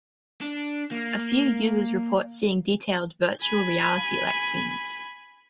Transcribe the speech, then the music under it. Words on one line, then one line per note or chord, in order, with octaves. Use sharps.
A few users report seeing detailed, virtual reality like scenes.
D4
A#3
G#5 B5